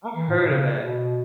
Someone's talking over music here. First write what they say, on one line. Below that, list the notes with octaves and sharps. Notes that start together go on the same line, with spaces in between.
I heard of that
E3
A2
B2
C#3
B2